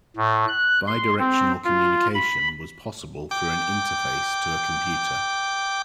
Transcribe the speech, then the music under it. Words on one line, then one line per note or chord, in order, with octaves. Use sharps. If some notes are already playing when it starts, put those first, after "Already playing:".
Bi-directional communication was possible through an interface to a computer.
A2
F#6
C6
C4
F4
B5
G5 D6